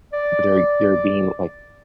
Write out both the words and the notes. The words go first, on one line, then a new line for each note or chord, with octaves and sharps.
They're they're being, like,
D5